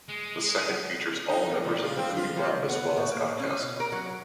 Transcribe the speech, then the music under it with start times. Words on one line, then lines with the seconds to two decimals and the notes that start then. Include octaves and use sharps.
The second features all members of the Goodie Mob as well as Outkast.
0.08 G#3
1.29 D#4
1.50 A#2
1.64 A#2
1.83 F4
1.97 C4
2.17 F4
2.37 C3
2.69 B3
2.97 A2
3.11 A#3
3.39 C#4
3.62 B2
3.80 A#4
3.92 F#3